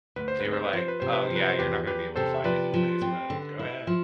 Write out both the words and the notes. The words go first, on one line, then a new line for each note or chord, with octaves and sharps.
they were like, "Oh, yeah, you're not gonna be able to find any place, but go ahead."
D2 B4
C5
C3 B4
C5
B4
F3 C5
B4
C3 C5
B4
C5
F3
B4
C5
E2 G4 B4
E2 G4 B4
C3 A4 C5
E5
F3 B4 D5
F3
C4
D3
E4
F3